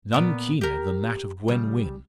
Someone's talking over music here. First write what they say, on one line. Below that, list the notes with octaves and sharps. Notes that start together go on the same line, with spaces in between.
None keener than that of Gwen Wynn.
A#2 B3 D5
G4 A#4
C#3 G3